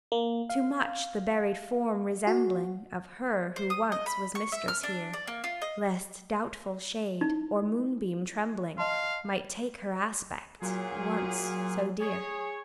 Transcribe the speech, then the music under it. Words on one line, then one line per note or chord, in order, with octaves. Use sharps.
Too much the buried form resembling, Of her who once was mistress here; Lest doubtful shade, or moonbeam trembling, Might take her aspect, once so dear.
A#3
F5
F#4
C5
D#6
D#5
B5
C#6
E5
F6
D4
D5
A#3
F4
D#5
D#4 E4
D#5 F5 A5 C6
A#2 F#3 F4 G#4
G#4 C#5